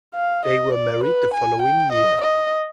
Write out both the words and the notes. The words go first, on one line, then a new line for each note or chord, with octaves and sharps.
They were married the following year.
F5
D#5
D5
B4
G#5
G5
D#5
D#5